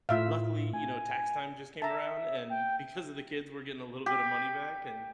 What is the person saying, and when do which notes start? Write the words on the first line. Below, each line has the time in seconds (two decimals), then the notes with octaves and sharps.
luckily, you know, tax time just came around, and because of the kids, we're getting a little bit of money back and
0.09 A2 F4 E5 F5
0.74 G#5
1.82 E5 A5 A#5
2.50 G5
4.06 G4